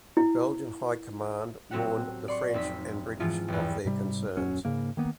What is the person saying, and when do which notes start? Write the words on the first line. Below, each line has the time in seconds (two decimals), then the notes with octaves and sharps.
The Belgian High Command warned the French and British of their concerns.
0.17 E4
1.71 A2 F#3 C4 F#4 G4 F#5
2.28 D5 C6 C#6
2.54 F1 C4 D#4 B6
3.20 G#2 E3 F3 F4
3.48 G1 E2
3.85 G#2 C3 G3
4.37 D#1 F#2 F#3 C#4
4.65 G#2 C#3 A#3
4.97 D#3 A#3 B3